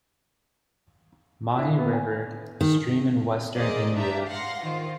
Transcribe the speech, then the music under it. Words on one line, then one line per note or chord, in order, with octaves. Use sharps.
Mahi River, stream in western India.
D4 E4 E5
A#3 B3
G#5
D#3
G#4 A#4 C5 D5 D#5
D4 G4 E5 A#5
F5 F#5 C6 A#6
D#3 F4 C5